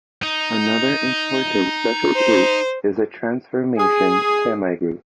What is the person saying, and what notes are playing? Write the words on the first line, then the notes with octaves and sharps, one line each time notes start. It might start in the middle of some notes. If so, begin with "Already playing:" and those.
Another important special case is a transformation semigroup.
D#4
C5
G#4